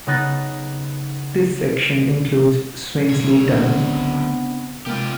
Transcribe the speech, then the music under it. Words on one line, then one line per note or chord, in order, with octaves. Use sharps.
This section includes Swainsley tunnel.
C#3 B3 D#4 F#6 A6 A#6
D2 C#5
C#3 B3 C4 D4
C3 G#3 A#3 F4 G4